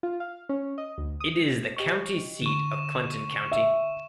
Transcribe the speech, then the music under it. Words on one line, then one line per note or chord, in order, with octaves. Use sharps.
It is the county seat of Clinton County.
F4
F5
C#4
D#5
D2
D#6
G4 D#5 C#6
D3 C#6 E7
E5